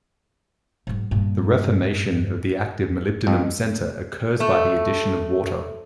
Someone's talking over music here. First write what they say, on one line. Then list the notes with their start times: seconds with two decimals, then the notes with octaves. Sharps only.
The reformation of the active molybdenum center occurs by the addition of water.
0.87 G#2 F#3
1.11 G2 A#2
3.27 F2
4.40 A3